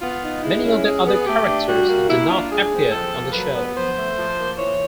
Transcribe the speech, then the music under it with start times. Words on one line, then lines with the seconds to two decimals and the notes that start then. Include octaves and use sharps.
Many of the other characters do not appear on the show.
0.01 B3 F4
0.23 D#4
0.43 G#3 E4
0.64 C#4
0.84 G#3 G#4
1.05 B3
1.26 A3 G4
1.46 D4
1.68 G3 F#4
1.88 A#3
2.09 A#3 E4
2.30 D4 F4
2.51 G#3 G#4
2.72 C4
2.92 F3 A4
3.12 A#3
3.33 F#3 B4
3.55 B3
3.75 F3 C5
3.96 A3
4.17 F3
4.38 A#3
4.58 E3 C#5